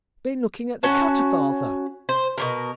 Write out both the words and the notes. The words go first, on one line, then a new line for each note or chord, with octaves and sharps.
"Been looking at the cutter, father?"
C#4 F#4 A5
C5
B2 E3 A#4